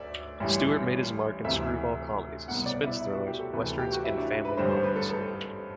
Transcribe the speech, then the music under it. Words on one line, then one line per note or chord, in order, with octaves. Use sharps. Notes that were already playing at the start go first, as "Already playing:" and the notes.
Stewart made his mark in screwball comedies, suspense thrillers, westerns and family comedies.
Already playing: D2 D5 E5
A1 G2 E3
D2 C3 E3 E5
C2 B2 F#5
D5
E4
E4
F#4
G4
A4
D2 C3 E3 B4
A4
G4
F#4
E4
D4
E4
B4
A1 G2 D3 C5
C5
B4
A4
A4